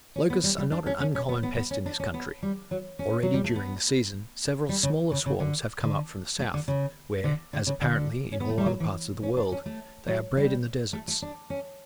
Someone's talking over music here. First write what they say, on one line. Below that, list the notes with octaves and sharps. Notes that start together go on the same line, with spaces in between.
Locusts are not an uncommon pest in this country: already during the season, several smaller swarms had come up from the south, where, as apparently in all other parts of the world, they are bred in the deserts.
C#4
B3
G3
G3
D4
C#4
C#4
C#4
B3
B3
B3
C#4
D4
C#4
B3
G3
F#3
C#4
F#3
G3
A3
B3
G3
C#3
C#3
C#3
D3
D3
A3
D3
C#3
D3
D3
C#3
D3
C#4
B3
A3
G3
F#3
E3
C#4
D4
C#4
A3
F#3
G3
A3
A3
D4
C#4